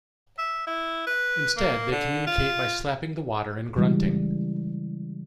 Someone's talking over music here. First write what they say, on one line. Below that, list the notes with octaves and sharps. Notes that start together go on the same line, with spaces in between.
Instead, they communicate by slapping the water and grunting.
E5
E4
B4
A#3
D3
F4
C#3 E3 G3 G#3